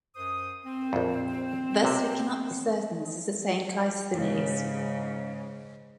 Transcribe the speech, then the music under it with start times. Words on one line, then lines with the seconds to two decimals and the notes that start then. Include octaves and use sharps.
Thus we cannot be certain this is the same Cleisthenes.
0.15 F#2 C5 D#6
0.65 C4
0.93 A#1 F2
1.83 B1 C3
4.14 G#2 C#3